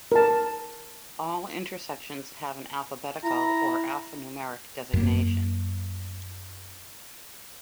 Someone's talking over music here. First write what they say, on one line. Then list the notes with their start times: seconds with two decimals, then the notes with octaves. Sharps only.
All intersections have an alphabetical or alphanumeric designation.
0.12 A#4 A5
3.24 E4 A#5
4.94 F#2 A#3